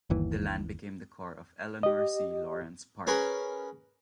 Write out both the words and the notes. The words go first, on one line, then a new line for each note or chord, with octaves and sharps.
The land became the core of Ellanor C. Lawrence Park.
G1 D#2 E3
G4 D#5
C#4 G#4 A#4 B4